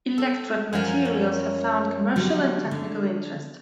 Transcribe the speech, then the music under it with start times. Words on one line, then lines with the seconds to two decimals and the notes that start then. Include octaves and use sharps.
Electret materials have found commercial and technical interest.
0.18 A4
0.73 F#2 F3 A#4 G#5
1.05 C#4
2.16 D3 F#3 G3
2.71 D3